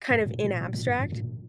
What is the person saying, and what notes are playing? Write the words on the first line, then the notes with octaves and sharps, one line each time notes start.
kind of in abstract.
G2
A#2
A#2
A#2
A#2
G2
G2
A#2